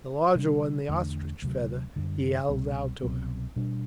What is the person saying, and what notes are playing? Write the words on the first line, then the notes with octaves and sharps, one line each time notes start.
The larger one, the ostrich feather, he held out to her.
C3 G3 D4
E2 D3 A3 D4
D2 C3 F#3
F#2 D3 G3
C2 B2 G3 C4
C2 B2 F#3 C4
B2 G3 D4